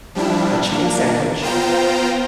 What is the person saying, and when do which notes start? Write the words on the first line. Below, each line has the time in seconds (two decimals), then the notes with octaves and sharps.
a chicken sandwich.
0.15 F3 G3 D4 E4
0.68 A#3 D4
1.42 B3 F4 C5 G5 A#5